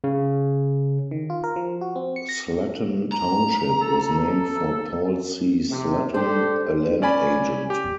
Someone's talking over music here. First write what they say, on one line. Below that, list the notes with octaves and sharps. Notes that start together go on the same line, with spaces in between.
Sletten Township was named for Paul C. Sletten, a land agent.
C#3
D#3
F4
A#4
F3
F#4
C4
C#7
A#6
A#5
A4
C3
D4 G4 A4 C5
C#4 D5 G#5 B5
G4